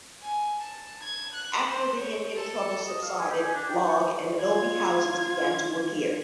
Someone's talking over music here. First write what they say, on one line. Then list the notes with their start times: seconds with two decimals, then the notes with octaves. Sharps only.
After the Indian troubles subsided, log and adobe houses began to appear.
0.21 G#5
0.60 A5
1.03 G#6
1.34 F#6
1.67 C5
1.98 C#5
2.36 A4
2.87 D#5
3.03 F5
3.19 G#4
3.30 G4
3.43 G#5
3.54 D4
3.69 G5
3.88 C#6
4.37 F4 G#6